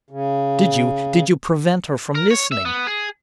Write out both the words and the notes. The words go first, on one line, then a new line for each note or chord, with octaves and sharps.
Did you--did you prevent her from listening?'
C#3
A#4
C#5
E5
B3
G#4